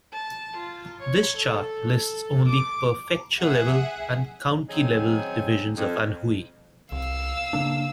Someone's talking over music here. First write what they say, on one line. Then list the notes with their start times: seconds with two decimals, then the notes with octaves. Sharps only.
This chart lists only prefecture-level and county-level divisions of Anhui.
0.12 A5
0.57 F4
1.00 C#5
1.37 A4
2.46 D6
3.38 G#4 E5 F#5
4.69 D#3 F#3 C4 C#4 D#4 G#4
5.77 F2
6.92 C2 F5 E6
7.53 C#3 A#3 D4